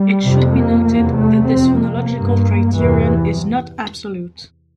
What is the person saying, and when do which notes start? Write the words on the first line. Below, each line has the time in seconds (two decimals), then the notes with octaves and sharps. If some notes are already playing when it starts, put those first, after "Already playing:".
It should be noted that this phonological criterion is not absolute.
Already playing: G3
0.25 F2 C3
0.57 A#3
0.87 E2 C3 A#3
1.19 A3
1.51 F2 C3 C4
1.82 A#3
2.15 G2
2.78 E2 C3 E3